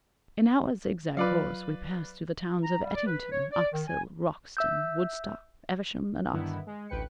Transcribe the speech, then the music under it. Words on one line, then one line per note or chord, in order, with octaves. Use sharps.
In our zigzag course we passed through the towns of Ettington, Oxhill, Wroxton, Woodstock, Eversham and Oxford.
F#3 F4 B4 D5 F5
A#5
G3
D5
B4
C#5
D5
D#3
G#5
E5 E6 G6
G2 D3 D#3 B3 E4
G#3
A1 D2 B4 G5 C#7